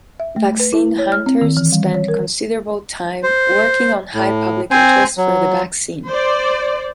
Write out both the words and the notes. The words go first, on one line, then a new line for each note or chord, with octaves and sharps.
Vaccine Hunters spent considerable time working on high public interest for the vaccine.
E5
A3
B4
E4
C#5
F6
C4
D#3
E3
G3
C#5
A#4
C5
A2
C4 C5 G#5
F#3
C5 D5